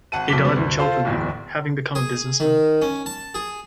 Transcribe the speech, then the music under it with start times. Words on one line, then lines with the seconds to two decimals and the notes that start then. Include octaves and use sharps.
He died in Cheltenham, having become a businessman.
0.12 G#1 F#5 A5 D#7
0.28 B1 F2 B2 D6 B6 G7
0.44 C3 G3 B3
0.56 D2 G2
0.79 F4 A4 C5
1.05 D1 G1 E2 A2
1.95 G#4
2.40 D#3
2.82 C#4
3.06 A5
3.35 G#4